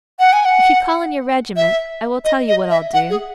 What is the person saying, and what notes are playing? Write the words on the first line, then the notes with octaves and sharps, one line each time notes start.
If you call in your regiment I will tell you what I'll do.
F#5
G#5
F#5
E5
D#5
D#5
E5
F#5
G#4